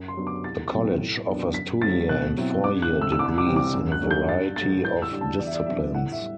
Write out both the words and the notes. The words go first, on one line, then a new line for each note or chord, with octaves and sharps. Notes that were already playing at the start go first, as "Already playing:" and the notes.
The College offers two-year and four year degrees in a variety of disciplines.
Already playing: F#2
C6
F#3 B3 D4
D6
C2 A6
B2 F#3 C4
A2
F#3 B3 D4
F#2 B6
F#3 A3 C4 A6
B2 F#6
F#3 C4 E4
G2 D6
F#6
D3 A3 C4
E6
E6
C2 D6
D6
C3 E3 G3 C4
D6
F#2
F#6
F#3 A3 D4
G6
G2 A6
F#3 A3 A6
A2 G6
E6
G3 D4
A5
E2 D5
E5
D5
C3 F#3 B3 D4 E5
A2 F#5
E5
G3